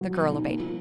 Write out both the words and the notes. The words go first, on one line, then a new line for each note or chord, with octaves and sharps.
The girl obeyed.
F#3
B2
D#4
A#3
F3